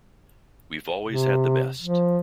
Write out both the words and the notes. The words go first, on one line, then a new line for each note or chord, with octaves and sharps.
We've always had the best.
C3
F3